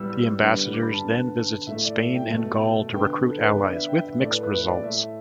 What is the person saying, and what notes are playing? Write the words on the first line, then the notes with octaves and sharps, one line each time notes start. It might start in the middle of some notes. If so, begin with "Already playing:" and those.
The ambassadors then visited Spain and Gaul to recruit allies, with mixed results.
Already playing: A2 G3 B3 E6
E6
D3 G3 B3
D6
B5
A5
D3 B3
A2 A3 E5
D5
E5
G5
B2 A3
D3 B3 G5
A4
B4
D3 B3 D5
E5
G5
E5
A2 A3 D5
B4
B4
B4
D5
A2 A3 E5